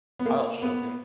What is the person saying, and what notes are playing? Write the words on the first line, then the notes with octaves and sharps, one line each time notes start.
I’ll show him.
B3
A#3
B3